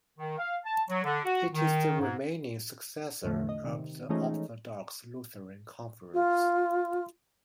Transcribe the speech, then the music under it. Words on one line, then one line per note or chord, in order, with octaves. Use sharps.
It is the remaining successor of the Orthodox Lutheran Conference.
D#3
F5
A5
F#3
D3
F#4
D#3
G#2
E2 A2 D3 F3 A3
D#5
C3 D#3
E3 F3 G#3 A3 C#4 D#4
F4